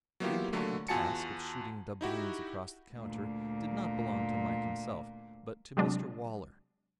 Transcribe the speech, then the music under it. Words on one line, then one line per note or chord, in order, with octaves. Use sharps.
The important task of shooting doubloons across the counter did not belong to Mike himself, but to Mr Waller.
F#3 A#3 B3 E4 F4 G4
D3 F#3 A3 A#3
E2 F4 F#4 G#5 A5 C#7
D#4 E4 F#4 G4
D2 A#2
C3 F#3 G#3 D4